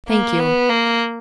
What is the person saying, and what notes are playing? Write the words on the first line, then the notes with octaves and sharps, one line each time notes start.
'Thank you.
A#3
B3
A#3